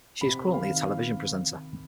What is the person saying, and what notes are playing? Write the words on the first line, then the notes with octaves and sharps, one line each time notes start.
She is currently a television presenter.
C3 B5
D#3 F5